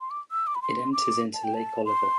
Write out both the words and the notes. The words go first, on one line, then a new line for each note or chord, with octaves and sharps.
It empties into Lake Oliver.
C6
D6
E6
D6
B5
C6
D6
A5
G5
A5
C6